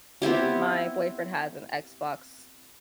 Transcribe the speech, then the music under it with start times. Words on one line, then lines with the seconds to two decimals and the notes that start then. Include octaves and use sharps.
my boyfriend has an Xbox,
0.22 B3 C4 E4 G4